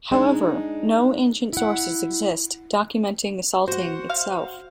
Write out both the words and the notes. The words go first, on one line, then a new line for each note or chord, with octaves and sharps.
However, no ancient sources exist documenting the salting itself.
G#3 D4 D#4
E4 F#5
F#4 C5 F#5
F5